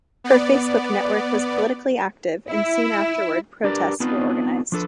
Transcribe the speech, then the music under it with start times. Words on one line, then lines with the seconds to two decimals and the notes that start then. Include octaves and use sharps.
Her Facebook network was politically active and soon afterward protests were organized.
0.24 B3 D5
2.49 E4
3.64 D4 G4 A#4 B4 D5
4.00 B3 C4 D4 D#4 F4 B4
4.72 F3 D4 A4 B4